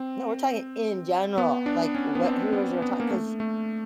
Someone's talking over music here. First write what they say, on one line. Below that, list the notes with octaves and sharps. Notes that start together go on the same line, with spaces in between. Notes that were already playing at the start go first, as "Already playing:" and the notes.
No, we're talking in general. Like, what who is your top 'cause
Already playing: C4
B3
D4
C#4
B3
C4
B3
B3
A#3
A3
A3